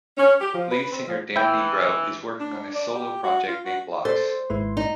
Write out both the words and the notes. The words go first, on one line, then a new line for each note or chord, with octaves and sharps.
Lead singer Dan Nigro is working on a solo project, named Blocks.
C#4
G4
F3
B4
C4
F3
E3 E4 G5
D4
D5
G4
F#4
F4
F#4
A4 B4 C5 D5 C6 A6
G#1 G#2 E4 B4 C6
D#4